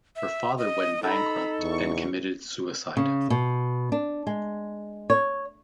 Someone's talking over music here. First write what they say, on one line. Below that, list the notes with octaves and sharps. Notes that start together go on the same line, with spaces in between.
Her father went bankrupt and committed suicide.
E5
D#5
D#4 A4 A#5 B5
E2 C#6
C#3
B2
D4
G#3
C#5